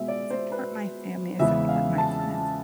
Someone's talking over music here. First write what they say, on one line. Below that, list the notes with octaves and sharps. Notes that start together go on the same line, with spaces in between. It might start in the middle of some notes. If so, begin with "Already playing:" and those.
support my family. I support my friends.
Already playing: B2 G#3 B3 E5
D5
C5
B4
E2 C#3 E3 G#3 B3 E5
F5
A5